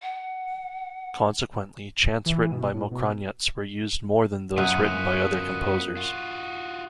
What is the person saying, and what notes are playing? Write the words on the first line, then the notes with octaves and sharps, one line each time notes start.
Consequently, chants written by Mokranjac were used more than those written by other composers.
F#5
E3
B2
A2
B2
F#2 B3 F4 D#6 F#6 D#7
F4 F#4